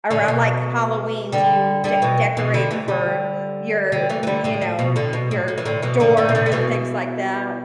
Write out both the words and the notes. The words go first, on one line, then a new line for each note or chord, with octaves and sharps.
around, like, Halloween? Do you de decorate for your, you know, your door and things like that?
A2 D3
B2
D3 G3
D3 G3
B2 E3
B2 E3
D3 G3
E3 A3
D3 G3
D3 G3
E3 A3
E3
D3 G3
A2 D3
A2
B2
A2 D3
B2
A2
A2
E3
A2 D3
B2 E3
A2 D3
A2 D3
B2
A2 D3
D3
B2 E3